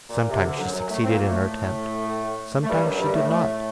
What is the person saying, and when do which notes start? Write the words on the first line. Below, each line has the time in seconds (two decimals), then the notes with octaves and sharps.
Sometimes she succeeded in her attempt; sometimes she did not.
0.09 A#2
0.30 C3
0.44 D2 D3
0.59 F#2 F#3
0.74 F#2 F#3
0.89 A2 A3
1.04 C4
1.09 A#2 A#3
1.29 A2 A3
2.63 A3
2.68 G2 G3
2.83 F#2 F#3
2.99 G2 G3
3.13 A2 A3
3.28 A2 A3